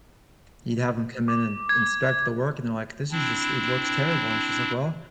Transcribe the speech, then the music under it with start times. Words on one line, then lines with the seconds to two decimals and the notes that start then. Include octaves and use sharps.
you'd have 'em come in and inspect the work and they're like, "This is just it looks terrible," and she's like, "Well,
1.28 D6
1.69 G#6
3.11 C4 D4 E4